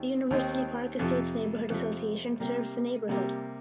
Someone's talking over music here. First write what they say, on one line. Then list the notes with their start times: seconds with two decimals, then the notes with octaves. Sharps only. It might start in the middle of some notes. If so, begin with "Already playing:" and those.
The University Park Estates Neighborhood Association serves the neighborhood.
Already playing: D#2 D#3
0.31 D#2 D#3 C4 D#4
0.99 F2 C3 F3
1.70 F2 C3 F3
2.40 C3 G3 A#3
3.09 C3 G3 A#3